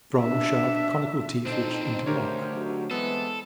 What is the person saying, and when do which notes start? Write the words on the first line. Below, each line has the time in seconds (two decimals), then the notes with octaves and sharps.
Strong sharp conical teeth which interlock.
0.22 D4 E5
1.46 F2 A2 C4 D4 D#4 C5
2.06 D2 G4 A#4 C#5
2.53 G#2 D3 F#3
2.91 E3 G#3 B3 C4 A4